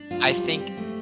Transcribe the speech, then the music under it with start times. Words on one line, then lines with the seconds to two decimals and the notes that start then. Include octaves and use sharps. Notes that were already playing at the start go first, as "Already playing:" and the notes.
I think
Already playing: D4
0.11 F4
0.27 G3
0.44 C4
0.60 G4
0.77 A3